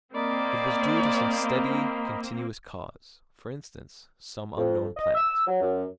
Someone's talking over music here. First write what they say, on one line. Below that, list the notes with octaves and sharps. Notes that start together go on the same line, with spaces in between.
It was due to some steady continuous cause--for instance, some unknown planet.
A#3 C4 A#4 D5 D#5 B5
F2
D#5
E6
F#3
F#2